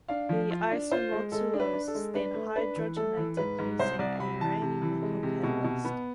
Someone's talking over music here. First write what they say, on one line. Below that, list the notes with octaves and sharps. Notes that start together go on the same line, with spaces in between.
The isomaltulose is then hydrogenated, using a Raney nickel catalyst.
D4 F5
F3
F4
D4
F4 C5
G#3
G#3 A4
D4
B4
D4
A4
G#3
D4 B4
A3
D4 B4
E3
A3 A4
E3
G#2 B4
G#2
C2 C5
C2 D5
C3 B5
E3 A5
C3
E3
G#3
C3
B2
B2
B3